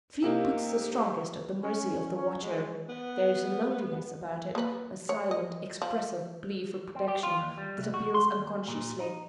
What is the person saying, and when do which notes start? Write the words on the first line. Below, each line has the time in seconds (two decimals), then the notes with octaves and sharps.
Sleep puts the strongest at the mercy of the watcher; there is a loneliness about it, a silent, expressive plea for protection, that appeals unconsciously.
0.22 C3 A#3 D#4
1.63 C#4
2.16 C#4
2.42 G#3
2.89 B3
4.55 A#3 B4
5.09 C#5
5.31 D#5
5.82 F3
6.95 C4
7.08 G4
7.23 F4
7.40 D#2
7.58 G3
7.78 C2
7.94 F#4
8.14 C6
8.37 D#2
8.68 A#2
9.00 D#4